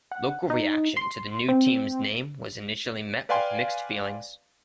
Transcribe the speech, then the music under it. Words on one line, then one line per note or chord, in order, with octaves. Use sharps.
Local reaction to the new team's name was initially met with mixed feelings.
F#5
D#4
C6
C4
B4 D5 F5 G5 G#5 C6